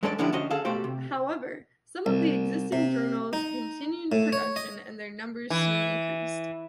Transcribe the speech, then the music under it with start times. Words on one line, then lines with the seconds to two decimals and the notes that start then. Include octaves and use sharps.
However, some of the existing journals continued production and their numbers soon increased.
0.03 G2 G#3 C#4 A4 B4 D5
0.18 A2 D3 F3 C#4 E4 G4
0.32 D3 C#4 F#4 C5 D#5
0.50 G#4 A4 F5
0.65 B2 A3 F#4 G4 C5
0.84 C3
2.06 C2
2.72 C3
3.33 D#4
4.12 A2
4.33 C#5
4.56 D#5
5.50 E3